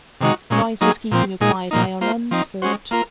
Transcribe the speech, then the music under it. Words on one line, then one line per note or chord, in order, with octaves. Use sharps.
Bryce was keeping a quiet eye on Ransford.
C3 D#3 G#3 D#4 F#4
A#2 G#3 C#4
F#3 A#3 D#4 G#4
A#2 F3 C4
A#2 G#3 D#4 G#4
A#2 F3 A#3 D#4
A#3 F4 C5
F3 C4 D#4
G#3 C#4 F#4 C5
A#3 F4 A#4